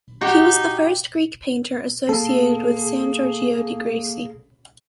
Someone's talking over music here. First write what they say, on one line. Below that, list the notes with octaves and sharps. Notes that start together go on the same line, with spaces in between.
He was the first Greek painter associated with San Giorgio dei Greci.
D#4 F#4 G4
A#3 G#4 A4